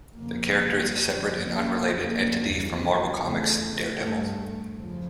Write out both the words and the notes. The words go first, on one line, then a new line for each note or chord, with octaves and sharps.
The character is a separate and unrelated entity from Marvel Comics' Daredevil.
F2 C#3 A#3
F2 C#3 C#4
A#3
F2 C#3
E2 C#3
E2 C#3 A3
G2 A3
E2 C#3 F3